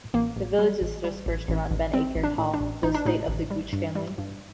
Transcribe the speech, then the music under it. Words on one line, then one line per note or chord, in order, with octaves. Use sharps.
The village is dispersed around Benacre Hall, the estate of the Gooch family.
A1 A#3
A1
G3
A1
G3
A1
A1
A1
G3 C4
A1
D4
A2
D4
A1
A1 D#4
D4
A2 D#4
A1
G3
G2
G3
G2